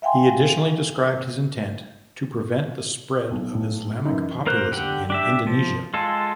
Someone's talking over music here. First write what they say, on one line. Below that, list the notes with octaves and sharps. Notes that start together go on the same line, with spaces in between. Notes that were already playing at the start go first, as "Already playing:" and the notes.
He additionally described his intent to prevent the spread of Islamic populism in Indonesia.
E5 F5 G5 G#5 C6
B1
A2
F#2 E3 D#4
A#3 A#4 C5 F#6
D3 G4 F#5
D4 G4 E5
F3
G#3 F4 A4